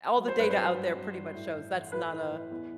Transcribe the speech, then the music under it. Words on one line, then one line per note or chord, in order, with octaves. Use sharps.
all the data out there pretty much shows, that's not a
F#3
C5
G2 B4
C5
F#3
G2
G2
G2
A2
A2
E3
A2 B4
E3
A2
E2